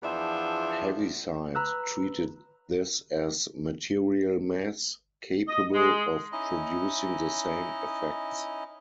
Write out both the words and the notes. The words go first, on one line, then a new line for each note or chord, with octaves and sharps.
Heaviside treated this as material mass, capable of producing the same effects.
E2 F3 D4 F4 E5
B4 A#5 E6 F#6
D#5
G#3
C#4 D#4 E4 D#5